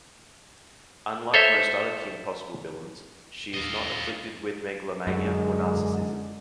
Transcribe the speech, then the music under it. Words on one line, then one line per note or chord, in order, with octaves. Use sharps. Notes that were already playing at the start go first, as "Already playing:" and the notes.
Unlike most other "Kim Possible" villains, she is not afflicted with megalomania or narcissism.
A4 C5 C#5 E5
F4 D#5
F#2 D3 G#3